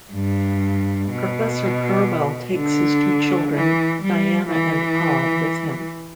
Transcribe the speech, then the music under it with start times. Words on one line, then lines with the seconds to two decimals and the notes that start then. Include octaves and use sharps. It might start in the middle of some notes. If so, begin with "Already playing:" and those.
Professor Purwell takes his two children, Diana and Paul, with him.
0.13 G2
1.10 B2
2.56 D3
3.54 E3
4.02 G3
4.51 E3